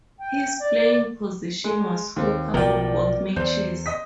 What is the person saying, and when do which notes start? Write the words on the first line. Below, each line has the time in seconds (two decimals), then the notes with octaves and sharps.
His playing position was hooker for both matches.
0.19 G5
0.60 D5
1.64 G#3
2.16 D#2 D#3 C4 D#4
2.54 B1 A2 F3 B3 A#4 D5 G5
3.36 E2 C5 G6
3.86 D#5 D#6 B6